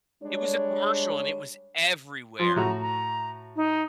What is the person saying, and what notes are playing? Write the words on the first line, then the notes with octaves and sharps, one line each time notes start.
It was a commercial, and it was everywhere.
G3 G#3 D4 C#5
F3 C6
A2 F#4 A#5
A#5
D#4